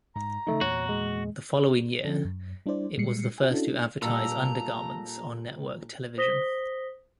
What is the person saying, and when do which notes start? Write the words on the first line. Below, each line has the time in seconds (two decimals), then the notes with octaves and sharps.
The following year, it was the first to advertise under-garments on network television.
0.16 G#2 A#5
0.47 C#3 E3 F3 A3 D#4
0.61 E2 A#2 F#4 C#5
0.89 G#3
2.05 D3 F3 C#4 A4
2.25 F#2
2.66 G3 D4 E4 C5 D5
2.97 A#2 G3 G#3 C7 C#7
3.38 F#4 G#5
3.50 C#4 D4 E4 F#4 A4
4.02 A#2 G3 A4 A#5
6.18 C5 D#6 A#6 B6 G7